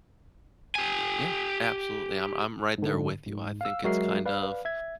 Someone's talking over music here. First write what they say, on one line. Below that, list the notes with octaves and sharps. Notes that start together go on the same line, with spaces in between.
Yeah, absolutely. I'm I'm right there with you. I think it's kind of,
G4 G#5
G#2 D3
G#2
F5 E6
F#3 G#3 F#4 A#4 E5 C7
B4 D5 F5
E5 G#6